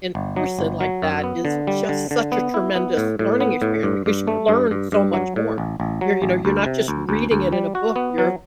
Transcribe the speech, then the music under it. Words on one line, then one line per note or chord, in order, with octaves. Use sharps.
in person like that is just such a tremendous learning experience because you learn so much more. You're you know, you're not just reading it in a book, you're
G1
F#3
G1
F#3
F#2
B3
D3
G3
D3
D3
B3
E4
B3
A2
A2
B3
A2
G2
G2
A3
G2
G2
G2
F#3
A2
A1
A1
F#3
A1
D2
C3
D2
D2
D2
G3
F#4
B3
F#3